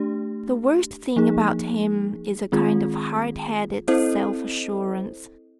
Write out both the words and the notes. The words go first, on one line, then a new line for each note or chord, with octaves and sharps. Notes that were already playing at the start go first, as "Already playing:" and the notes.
The worst thing about him is a kind of hard-headed self-assurance.
Already playing: A3 D4 G4
F3 A#3 D#4 G#4
D#3 G#3 C4 F4 G#4
C4 E4 A4 C5 D#5